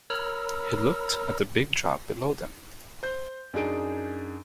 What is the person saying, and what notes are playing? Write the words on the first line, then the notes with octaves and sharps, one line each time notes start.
He looked at the big drop below them.
A#4 C#5 A#5 B5 E6 F6
C5 G6
F#2 D4 D#4 G#4 D7